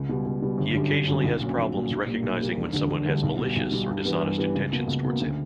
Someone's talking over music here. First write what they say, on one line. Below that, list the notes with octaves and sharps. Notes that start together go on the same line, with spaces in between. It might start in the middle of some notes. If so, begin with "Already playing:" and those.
He occasionally has problems recognizing when someone has malicious or dishonest intentions towards him.
Already playing: C#2
B2 G3
C#2
B2 G3
G1
F#2 D3 G3
G1
F#2 D3 G3
B1
A#2 F#3 C#4
B1
A#2 F#3 C#4
B1
A#2 G3 A#3
B1
A#2 G3 A#3
E1
D2 D3 G3
E1
D2 D3 G3
B1
B2
G3
B1
B2 G3
G2
E3 G3 B3
G2
E3 G3 B3
C#2
B2 A#3
C#2
B2 A#3
D2